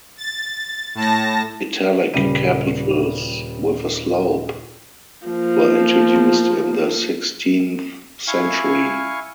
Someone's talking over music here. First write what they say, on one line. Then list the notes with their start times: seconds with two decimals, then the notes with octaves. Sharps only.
Italic capitals with a slope were introduced in the sixteenth century.
0.17 A6
0.95 A2 A5 A#6
2.14 D#1 C#3 G3 D#7
5.27 F3 A#3
8.28 E4 F5 G#5 C#6